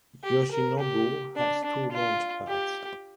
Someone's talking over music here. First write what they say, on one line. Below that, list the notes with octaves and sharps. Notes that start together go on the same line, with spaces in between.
Yoshinobu has two launch pads.
G4
A#4
G4
D4
D4
F4
G4